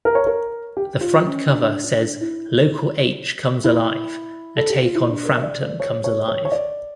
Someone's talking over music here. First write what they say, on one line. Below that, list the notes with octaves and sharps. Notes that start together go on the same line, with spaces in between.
The front cover says Local H Comes Alive!-a take on Frampton Comes Alive!
A#4
C#5
A#4
G4
F4
C#4
D4
D4
E4
E4
A4
G4
F4
E4
D4
A#4
E5
D5
D5
C#5
C#5
C#5
C#5
D5